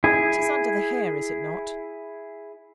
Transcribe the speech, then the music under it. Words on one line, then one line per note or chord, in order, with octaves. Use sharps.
It is under the hair, is it not?'
E4 G#4